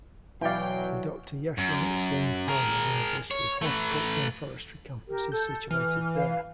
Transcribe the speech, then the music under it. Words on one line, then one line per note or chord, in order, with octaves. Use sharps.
The Doctor Yashwant Singh Parmar University of Horticulture and Forestry campus is situated there.
B2 E3 F#3 E4 D5 F5 G5
F#2
G#4 A#4
C#5
A3 B4
G4 A#4
A4 G6
E3 F6
B4 F5